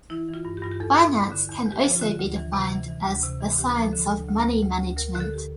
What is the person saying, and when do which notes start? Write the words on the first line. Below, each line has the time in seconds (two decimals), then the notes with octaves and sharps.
Finance can also be defined as the science of money management.
0.10 E3 E4
0.28 E3
0.34 F4
0.45 G2
0.57 G4
0.62 G2 F4
0.71 G4
0.80 E2 A4
0.98 E2
1.15 E2
1.32 D3
1.49 E2
1.67 E2
1.72 G4
1.84 F3
1.96 F4
2.02 D3
2.19 D2
2.36 E3
2.53 C3
2.72 E3
2.89 E3
3.06 D2
3.23 C3
3.41 E3
3.58 D2 G4
3.76 F3
3.82 A4
3.93 D3
4.05 A4
4.11 D2
4.28 D2
4.45 D2
4.62 D2
4.79 D2
4.97 D2 A#4
5.15 D3
5.20 A4
5.34 G4